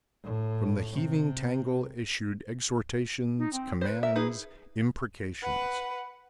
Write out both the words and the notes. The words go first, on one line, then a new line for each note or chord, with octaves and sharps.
From the heaving tangle issued exhortations, commands, imprecations.
A2
C3
D#4
C4
B4 C5
A#4 E5
D#4 G#4 B4
B4 F#5